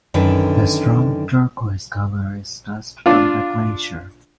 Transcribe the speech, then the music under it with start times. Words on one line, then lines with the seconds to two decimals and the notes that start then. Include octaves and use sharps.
The strong turquoise color is dust from the glacier.
0.14 F#2 D3 D#3 B4
3.06 D4 F4